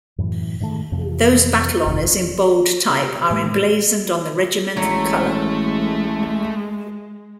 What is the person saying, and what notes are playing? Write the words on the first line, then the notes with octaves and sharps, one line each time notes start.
Those battle honours in bold type are emblazoned on the regimental colour.
F#2 A2 E3
G#2 D#3 G3 A3
F2 C3 E3 F3
G1 F2 C3
C#3
C3
A2 G#3 A#3
A1 F#3 G#3 A3 E4 C#5